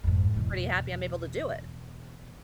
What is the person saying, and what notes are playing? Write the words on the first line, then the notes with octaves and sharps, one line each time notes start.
I'm pretty happy I'm able to do it.
F2 G#2
E2 B2